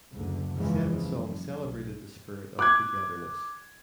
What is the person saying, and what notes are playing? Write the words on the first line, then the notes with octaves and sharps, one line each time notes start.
He said the song celebrated the spirit of togetherness.
F#1 D2 D3
E2 C#3 E3 F3 G#3
F#1
B1
D6 F#6 G#6